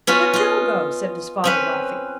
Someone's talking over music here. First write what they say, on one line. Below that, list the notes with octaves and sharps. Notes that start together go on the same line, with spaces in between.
"Let Joe go," said-his father, laughing.
B3 C#4 F4 F#4 B5
F4 D#5
C4 C#4 B4